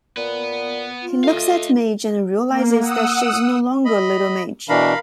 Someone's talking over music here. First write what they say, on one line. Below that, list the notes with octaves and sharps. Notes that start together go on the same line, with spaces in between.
He looks at Midge and realises that she is no longer "little Midge".
A#2 B3 B4
F4
A3 D#5 F5
A#3
F#5 D#6 E6
D#5 B5
B2 E3 D4 A#4 F5 B5